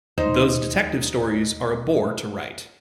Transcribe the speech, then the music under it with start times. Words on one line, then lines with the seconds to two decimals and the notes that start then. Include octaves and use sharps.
Those detective stories are a bore to write.
0.18 D#2 D#4 C5